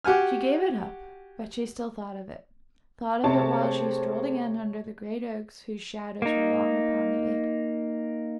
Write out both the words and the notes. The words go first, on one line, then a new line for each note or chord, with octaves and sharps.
She gave it up, but she still thought of it--thought of it while she strolled again under the great oaks whose shadows were long upon the acres of turf.
F#4 G4 F#5 G#5 F6
C3 A3 G#4 C5 C#5 A5
A#3 D#4